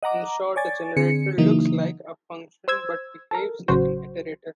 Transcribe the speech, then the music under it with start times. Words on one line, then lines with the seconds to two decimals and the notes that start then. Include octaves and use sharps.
In short, a generator "looks like" a function but "behaves like" an iterator.
0.03 D#5 F#5 A#5 D6
0.56 C#5 D5 G#5 A6
0.97 D3 C4 G#4 C#7
1.38 C#3 E3 F#3 A#3 D#4
2.68 C5 E6 G#6
3.31 A4 A#4
3.68 A1 C#3 F#3 F#4 C5